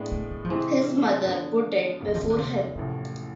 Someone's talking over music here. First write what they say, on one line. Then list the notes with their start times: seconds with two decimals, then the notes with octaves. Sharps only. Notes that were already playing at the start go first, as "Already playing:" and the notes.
His mother put it before him.
Already playing: A2 G#3 B3 D4 G#4
0.12 A3
0.31 G#3
0.45 F3
0.50 C3 E3 G#3 C4 G#4 C5
1.25 D3 F3 B3 D4
2.01 E1 D2 C3
2.08 G#3
2.15 F3
2.23 E3
2.30 D3
2.38 C3
2.76 A1 A2 C3 F3 A3